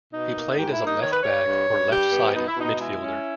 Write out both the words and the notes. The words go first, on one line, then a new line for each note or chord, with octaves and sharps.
He played as a left back or left-sided midfielder.
B2 D#4
A#3
G#2 G4
E4
A#3
D#4
D#3 C#5
B4
G3 C#5
G2
G2
G3 G4
B3
B2 D#4
E4
B2 D#4
G#3 E4
C#4